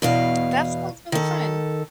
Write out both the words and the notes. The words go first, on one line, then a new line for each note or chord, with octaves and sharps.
That sounds really fun.
E2 B2 F5
D#3 A4